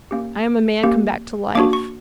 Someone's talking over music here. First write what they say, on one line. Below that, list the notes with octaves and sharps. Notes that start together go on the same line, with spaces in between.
I am a man come back to life.
A#3 C#4 G4
A#3 C#4 G4
A#3 D4 F#4 D6
C#6